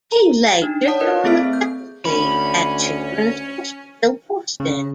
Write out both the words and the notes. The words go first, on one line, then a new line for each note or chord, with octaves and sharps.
He later joined the faculty at Children's Hospital Boston.
A#5
D4 D#4
C#5 D5 F#5 A5 D#6
E4 A#4 B4 D#5
A3 C4 G#4 A4 E5 F6
G6
D2 C#4 B5
C#3